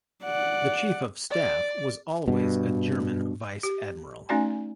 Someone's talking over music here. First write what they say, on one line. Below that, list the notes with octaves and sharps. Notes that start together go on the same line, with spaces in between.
The chief-of-staff was always a German Vice Admiral.
D5 F#5
D5
G2 B2
G4
A3 C#4 D#4 F#4 D5 G#5